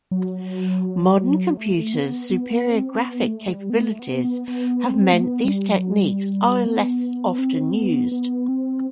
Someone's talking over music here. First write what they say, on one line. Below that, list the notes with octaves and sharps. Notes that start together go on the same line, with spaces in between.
Modern computers' superior graphic capabilities have meant these techniques are less often used.
F#3
A3
B3
B3
C4
B3
A3
G3
B3
A3
B3
B3
B3
C4
A3
B3
G3
F#3
G3
B3
C4
B3
B3
C4